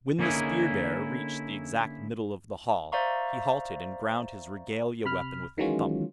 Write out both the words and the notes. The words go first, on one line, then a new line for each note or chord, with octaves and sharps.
When the spear-bearer reached the exact middle of the hall, he halted and grounded his regalia-weapon with a thump.
D3 A#3 C#4 D#4 E4 G#4
C5 D5 E5 F5 A#5 C#6
C3 B5 F6
D#3 E3 F#3 G#3 C#4 F4